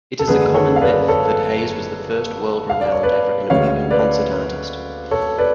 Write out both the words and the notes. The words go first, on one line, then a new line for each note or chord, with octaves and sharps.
It is a common myth that Hayes was the first world-renowned African-American concert artist.
A4
F#1 F#2 D3 G#3 D4 G#4 B4
A4 C#5
F5
B4 D5
A4 C#5
F5
D5
C#5
B4 D5
D2 D3 G#3 C#4 C#5 F5
B4 D5
A4 C#5
B4 D5